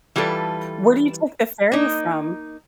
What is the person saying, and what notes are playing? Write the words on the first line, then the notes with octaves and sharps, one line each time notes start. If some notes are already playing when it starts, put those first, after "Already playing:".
Where do you take the ferry from?
E3 G3 D4 F4 A4 B4
A#3 D#4